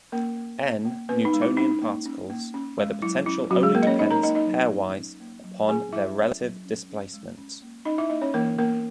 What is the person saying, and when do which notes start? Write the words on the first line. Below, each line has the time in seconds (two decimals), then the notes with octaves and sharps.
"N" Newtonian particles where the potential only depends pairwise upon the relative displacement.
0.12 A#3 C#4 A#4
0.37 A#3
0.60 C#4
0.85 A#3
1.09 B3 C#4 B4
1.25 D#4
1.33 G#3
1.42 E4
1.57 C#4 D#4
1.82 A#3
2.06 C#4
2.30 A#3
2.54 C#4
2.78 G#3
3.02 F#3 E4
3.26 C#4 E4
3.50 F#3 C#4 F#4
3.63 G#3 G#4
3.75 A#3 A#4
3.83 D#5
3.87 C#4 C#5
3.99 C#4 D#4 D#5
4.11 A#4 A#5
4.23 A#3 D#4 D#5
4.35 D#4 D#5
4.47 F#3
4.71 C#4
4.96 C#4
5.20 A#3
5.44 F#3
5.68 C#4 G#4 G#5
5.93 F#3 E4 E5
6.16 C#4
6.41 F#3
6.65 C#4
6.89 C#4
7.13 G#3
7.37 C#4
7.62 A#3
7.85 C#4 D#4 D#5
7.98 E4 E5
8.09 A#3 D#4 D#5
8.21 C#4 C#5
8.34 E3 A#3 A#4
8.58 A#3 B3 A#4